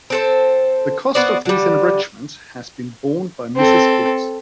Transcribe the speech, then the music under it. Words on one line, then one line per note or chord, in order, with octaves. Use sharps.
The cost of these enrichments has been borne by Mrs. Gibbs.
C4 A4 C5
B3 F#4 C5 D5
D3 G3
C4 A4